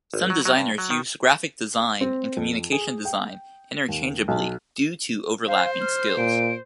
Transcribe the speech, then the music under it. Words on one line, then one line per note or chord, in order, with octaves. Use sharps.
Some designers use graphic design and communication design interchangeably due to overlapping skills.
G#1
F#3
F#3
G2
F#3
D#3
C4
F2
G#4
G5
D#2
B1
C5 F5
F6
A#2 D7